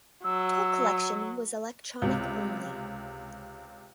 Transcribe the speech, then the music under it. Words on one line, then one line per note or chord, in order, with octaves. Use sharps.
Toll collection was electronic only.
F#3 E6
C#2 C3